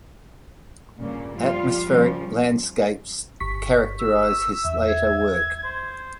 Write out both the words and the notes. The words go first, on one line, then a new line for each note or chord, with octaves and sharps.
Atmospheric landscapes characterize his later work.
G2 A#2 C#3 A#3
F3 G3 F4 F5
C#3 F3 G3
G1 C#6 B6
E6
E2 E5
G#6
C5